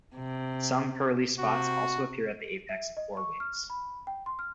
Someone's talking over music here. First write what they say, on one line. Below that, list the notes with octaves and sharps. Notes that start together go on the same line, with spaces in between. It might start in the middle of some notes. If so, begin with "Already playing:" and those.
Some pearly spots also appear at the apex of the forewings.
C3
C3 F#4
E5
D#5
C#6
F6
B5
G5
C6
F6